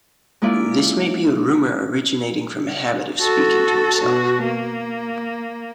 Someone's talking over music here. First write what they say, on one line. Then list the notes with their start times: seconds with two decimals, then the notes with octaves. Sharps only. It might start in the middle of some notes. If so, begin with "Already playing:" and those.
This may be a rumour originating from a habit of speaking to himself.
0.42 G#3 A#3 E4 F4 D5
3.20 F#4 A4
4.00 B2 F#4
4.44 A#3